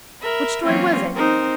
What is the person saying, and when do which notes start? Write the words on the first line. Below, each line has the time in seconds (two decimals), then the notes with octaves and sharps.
"Which story was it?"
0.21 A#4 E5 B5
0.64 E3 F#3 A#3 C4 C#4 F4
1.15 C4 D#4 A#4 C5